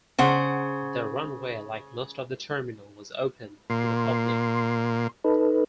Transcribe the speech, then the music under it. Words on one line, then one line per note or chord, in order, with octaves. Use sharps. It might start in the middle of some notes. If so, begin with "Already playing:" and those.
The Runway, like most of the terminal, was open to the public.
C#3 C5 F#5
A#2 C6
D#4 A4 B4